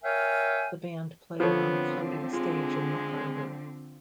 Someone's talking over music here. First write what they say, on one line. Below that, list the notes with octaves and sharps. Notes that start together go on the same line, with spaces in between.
The band played on a floating stage in the harbour.
A#4 C#5 E5 F5 G5 G#5
D3 F3 B3 C4 A4 C5 C#5
G#3 F4